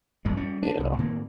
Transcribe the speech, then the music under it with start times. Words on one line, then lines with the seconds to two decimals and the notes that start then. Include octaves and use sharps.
you know?
0.25 A1 F#2 B2 G#3
0.37 G3 C#4
0.63 D4
0.79 C2
0.98 A2 D#3 A#3 C4